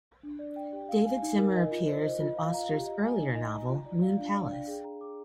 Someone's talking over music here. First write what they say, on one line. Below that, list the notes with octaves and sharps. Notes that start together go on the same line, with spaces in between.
David Zimmer appears in Auster's earlier novel "Moon Palace".
D4
D5
G5
G4
F5
G#5
D#4
A#4
D#5
F4
C5
D#5
F4
F5
A#5
G4
D#5
G#5
D#4
D#5
A#5
F4
D5
F5
D4
D5
G5
G#4
A#5
D6